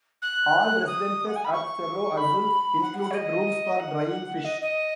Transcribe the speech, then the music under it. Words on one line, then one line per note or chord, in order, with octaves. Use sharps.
All residences at Cerro Azul included rooms for drying fish.
F#6
D#6
F#5
G#5
B5
C#6
B5
F#5
F#5
C#5
D#5
F#5
D#5
D#5